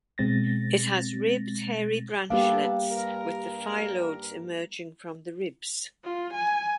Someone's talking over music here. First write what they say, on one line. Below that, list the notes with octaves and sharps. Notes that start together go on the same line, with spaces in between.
It has ribbed hairy branchlets with the phyllodes emerging from the ribs.
B2 G#3 C4 A6 A#6
G3 A#3 B3 D4 G4 A4 F5
G2 A#4
F4
G#5